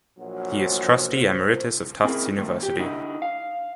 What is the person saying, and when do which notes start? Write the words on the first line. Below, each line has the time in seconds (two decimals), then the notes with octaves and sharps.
He is Trustee Emeritus of Tufts University.
0.19 A#1 F#3
0.59 C5
2.04 C4 C#4 E4 G#4 A#4
2.38 D#3 A3
2.63 G4
2.79 D3 D#4 E4
3.22 F5